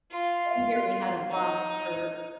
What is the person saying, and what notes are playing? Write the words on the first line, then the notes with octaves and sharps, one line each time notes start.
One year we had a box for
F4
D#4